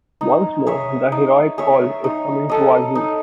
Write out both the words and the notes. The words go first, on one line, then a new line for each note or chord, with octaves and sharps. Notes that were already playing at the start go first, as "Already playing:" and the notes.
Once more the heroic call is coming to our youth.
D#4
G#4 C#5 E5
D#4
G#4 C#5 E5
D#4
A4 D#5
D#4